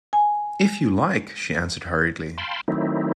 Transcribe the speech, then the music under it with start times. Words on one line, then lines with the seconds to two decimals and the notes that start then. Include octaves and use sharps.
"If you like," she answered hurriedly.
0.13 G#5
2.38 F5 G5 A5 B5 C6
2.68 D#3 F#3 A3 C4 D#4 E4